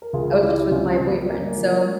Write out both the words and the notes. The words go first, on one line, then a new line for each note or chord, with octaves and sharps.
I was just with my boyfriend, so,
A#4
C#2 F4 G#4
F4
C#2 E4 G4
C#2 C#4 F4
C4
C#2
A#3
C#3 A#3 C#4
F3